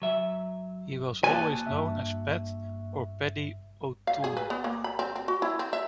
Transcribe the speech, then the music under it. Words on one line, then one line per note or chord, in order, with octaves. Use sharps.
He was always known as Pat or Paddy O'Toole.
F#3 E5
A#3 F#4 G#5 A5
G2 E5
F5
G#4
B4
B3
A#3
B5
C4
C4
F#4
E4
C4
E5